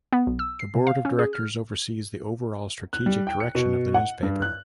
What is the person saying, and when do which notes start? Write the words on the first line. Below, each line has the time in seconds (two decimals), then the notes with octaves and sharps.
The Board of Directors oversees the overall strategic direction of the newspaper.
0.13 B3
0.27 B1
0.39 E6
0.59 C7
0.75 C3
0.87 F5
1.05 C#4
1.19 G#4
1.33 F6
2.93 F#6
3.06 G3
3.27 G5
3.40 C#7
3.55 B2
3.94 F#5
4.23 G2
4.42 F#6